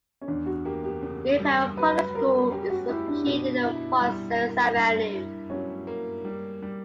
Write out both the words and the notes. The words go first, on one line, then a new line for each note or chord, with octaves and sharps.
Milperra Public School is located on Pozieres Avenue.
C#4
E2 D4
F#4
A#3 G4
G4
C#3
G3
F#3 B4
F#3 A#4
C#4 G4
F#4
E4 G4
D4
B2 D4
E4
G3
A#3
G2
E4
F#3 C#4
A#3
G3
G3